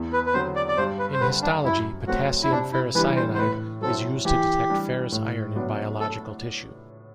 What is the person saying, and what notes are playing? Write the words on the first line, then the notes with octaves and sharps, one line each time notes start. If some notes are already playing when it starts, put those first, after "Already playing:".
In histology, potassium ferricyanide is used to detect ferrous iron in biological tissue.
Already playing: E2
B4
B4
D3 F#3 C4 C5
D5
D5
G2 C5
B4
C5
D3 G3 C4 B4
D4
F#2 E4
F#3 A3 C4 F#4
E4
C3 D4
E4
E3 G3 D4 B4
C5
C5
A2 B4
F#3 C4 E4 A4
E3 G4
G3 D4
A2
F#3 B3 D4
A4